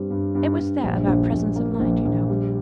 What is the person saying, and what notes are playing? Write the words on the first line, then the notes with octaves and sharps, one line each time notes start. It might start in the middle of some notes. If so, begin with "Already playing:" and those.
It was that about presence of mind, you know.
Already playing: G2 G3 C4
G2
G2
G2
A#1
A#1
A#1
A#3
A#1
A#1
G3